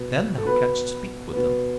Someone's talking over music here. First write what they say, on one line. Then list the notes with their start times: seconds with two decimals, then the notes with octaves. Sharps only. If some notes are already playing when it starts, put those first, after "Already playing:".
Then thou canst speak with them.
Already playing: B2 B3
0.38 A4
0.46 B2 B3 B4
1.33 B2 B3